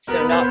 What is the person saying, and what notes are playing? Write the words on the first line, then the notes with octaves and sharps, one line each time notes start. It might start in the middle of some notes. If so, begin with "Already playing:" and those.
So, not
B3 A#4
B4
C5